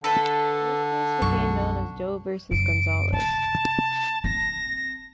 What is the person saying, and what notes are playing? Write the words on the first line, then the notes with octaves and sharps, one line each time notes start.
This case became known as Doe versus Gonzales.
D3 A4 B4
B1 F#2 C#6
F#2 C#3 D7
C3 A5
C4 A#6